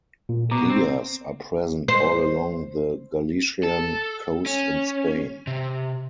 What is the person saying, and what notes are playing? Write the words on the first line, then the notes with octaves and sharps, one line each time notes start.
Rias are present all along the Galician coast in Spain.
A#2
B2 A#5 D6
C4
C5
A4
C#4
C3